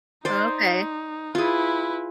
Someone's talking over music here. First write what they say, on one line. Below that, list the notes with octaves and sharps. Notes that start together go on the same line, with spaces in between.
Oh, okay.
D#4 C5 D5
E4 F4 G#4 B4